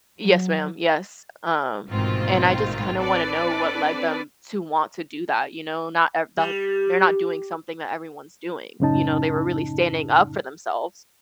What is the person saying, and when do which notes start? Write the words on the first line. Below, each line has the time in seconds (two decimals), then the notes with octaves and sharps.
Yes, ma'am, yes, um, and I just kinda wanna know what led them to want to do that, you know, not eh that they're not doing something that everyone's doing, you know, they were really standing up for themselves
0.19 F#3
1.90 A1 G#2 B2 D#3 C4 F4
2.99 C4 D4 A4 B4 D5
6.37 G3
8.80 F#2 A2 C#3 C#4 D#4 A5